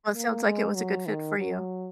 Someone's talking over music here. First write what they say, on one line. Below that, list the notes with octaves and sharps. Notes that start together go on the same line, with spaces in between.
Well, it sounds like it was a good fit for you.
A#3
G#3
F#3
D#3
F#3